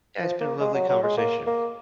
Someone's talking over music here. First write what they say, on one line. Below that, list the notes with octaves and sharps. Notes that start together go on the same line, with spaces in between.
yeah, it's been a lovely conversation.
F3
A#3
G#3
F#3
F#3
G#3
A#3
A#3